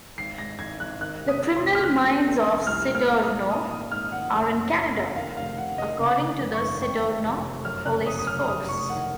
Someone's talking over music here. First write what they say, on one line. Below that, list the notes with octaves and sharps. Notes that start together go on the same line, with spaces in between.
"The criminal minds of Siderno are in Canada", according to the Siderno police force.
G#1 C7
G#2 A#6
G#1 G#6
G#1 F#6
D#3 F#6
C3
D#6
C3
C6
C#2
F6
F1 F#6
D#2
D#2
F1
C2 F6
A#2
F6
A#2
D#6
A#2
G#2 D#6
G#1 D#6
G#2 F6
D#3 F#5
F#1
F#1
F#1
F2
D#3 F5
F1 F5
F1 F#5
D#3 D#5
C#3
C#3
F#2
C#6
G#1
F2 C#6
D#3
F1
F1
F#2 F6
C#3 F#6
F#2 D#6
D#6
F#1 F6
F1 D#6
F1 C#6
D#3 F#5